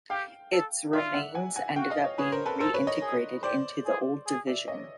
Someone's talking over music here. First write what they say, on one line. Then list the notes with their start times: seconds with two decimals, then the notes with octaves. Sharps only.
Its remains ended up being reintegrated into the old division.
0.10 G4 F5 G5
0.52 A4
0.93 F4 D5 E5
1.14 E5 F#5
1.35 F#5 G#5
1.56 F#5 G#5
1.76 F#4 F5 G5
1.90 D#5 F5
2.04 C#5 D#5
2.18 G#4 B4 C#5
2.32 A#4 C5
2.46 A4 B4
2.60 A4 A#4 C5
2.74 B4 C#5
2.87 C#5 D#5
3.02 G#4
3.43 G4 C5 D5
3.85 G#4
4.27 G#4
4.47 D5 E5
4.68 C#5 D#5